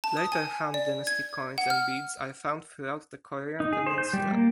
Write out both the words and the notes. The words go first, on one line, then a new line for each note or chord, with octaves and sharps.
Later Han dynasty coins and beads are found throughout the Korean peninsula.
A5
D#6
G#5
D5
G#6
F#5
F6
D#4
G#4
C5
G6
G3
A#3